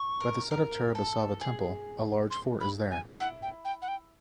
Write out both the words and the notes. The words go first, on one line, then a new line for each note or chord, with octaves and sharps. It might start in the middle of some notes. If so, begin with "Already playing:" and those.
By the side of Charabasava Temple A Large Fort is there.
Already playing: C#6
A#4
A#4
A4
G#4
C6
B5
G#5
E4 F#5
G5
G5
F#5
G5